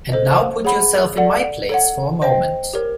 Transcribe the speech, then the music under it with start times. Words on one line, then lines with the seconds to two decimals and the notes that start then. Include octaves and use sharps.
And now put yourself in my place for a moment.
0.12 A4 C5 D#5
0.65 G#4 C#5 F#5 B5
1.17 A4 D5 F#5
1.69 A4 C#5 F#5
2.22 C5 D#5 G5
2.73 G4 A#4 C#5